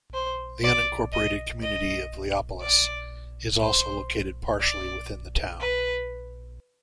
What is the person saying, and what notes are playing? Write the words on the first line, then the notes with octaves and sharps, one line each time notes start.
The unincorporated community of Leopolis is also located partially within the town.
C5
D5
D#5
D#5
D5
C5
D5
B4